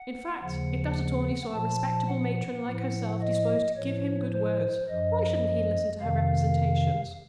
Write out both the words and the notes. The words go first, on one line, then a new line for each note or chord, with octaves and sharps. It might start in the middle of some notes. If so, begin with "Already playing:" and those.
In fact, if that attorney saw a respectable matron like herself disposed "to give him good words," why shouldn't he listen to her representations?
Already playing: F#5
D#2 C#3 F3 F#5
A#2 F3 A5
F#5
A2 F3
D#5
A2 F3 C#5
C5
F#2 F3 D#5
F2 C3 D#3 F5